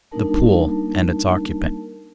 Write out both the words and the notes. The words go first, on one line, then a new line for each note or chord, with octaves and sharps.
The pool--and its occupant.
G3 A#3 D4 D#4 A#4 A5